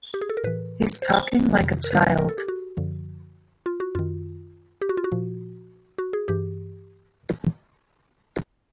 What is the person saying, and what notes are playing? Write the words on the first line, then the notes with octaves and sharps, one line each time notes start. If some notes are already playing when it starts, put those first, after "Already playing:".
He's talking like a child.
G4
G#4
A4
A#4
A2 E3 B4
C5
F2 C3 D#3
A#4
B4
A#4
A4
G4
F#4
F#2 D3 F3
F4
F#4
F#2 D#3 F4
G4
F#4
F4
F#4
A#2 F3
F#4
G#4
G2 E3 G4